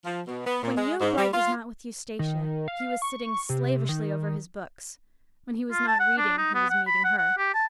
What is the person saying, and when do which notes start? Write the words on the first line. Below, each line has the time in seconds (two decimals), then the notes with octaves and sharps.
When Yeobright was not with Eustacia he was sitting slavishly over his books; when he was not reading he was meeting her.
0.05 F3
0.28 B2
0.45 B3
0.63 A#2
0.77 G#3
1.01 G#2
1.17 G3
1.33 F4
2.19 D#3
2.68 F5
3.02 C#6
3.49 C3
3.89 D#3
5.72 F4
5.88 A5
6.00 F#5
6.18 D4
6.38 D#4
6.54 B3
6.70 F#5
6.87 B5
7.04 F#5
7.18 F#5
7.38 G4
7.54 A5